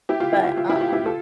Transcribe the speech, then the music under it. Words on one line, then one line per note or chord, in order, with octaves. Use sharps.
but, um um,
E4 G4
F4
E4
F4
F4
E4
G4
F4
E4 G4
F4 A4